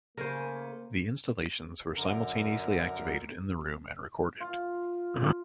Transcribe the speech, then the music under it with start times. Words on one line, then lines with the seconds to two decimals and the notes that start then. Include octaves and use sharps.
The installations were simultaneously activated in the room and recorded.
0.17 C#3 A3 A#3 A#4 C5 G#5
1.96 F#2 D3 A#4
4.40 F4